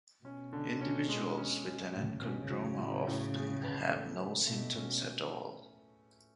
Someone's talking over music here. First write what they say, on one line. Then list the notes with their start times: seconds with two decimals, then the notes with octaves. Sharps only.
Individuals with an enchondroma often have no symptoms at all.
0.24 B2 C#4
0.53 D3
0.81 C#4
1.09 G#3
1.38 C#4
1.66 C#4
1.93 A2 C#4
2.22 B2 C#4
2.50 C#3 F#3
2.78 A2
3.07 A2
3.35 G#4
3.63 B4
3.92 A3
4.20 B4
4.47 B2 A3
4.76 C#4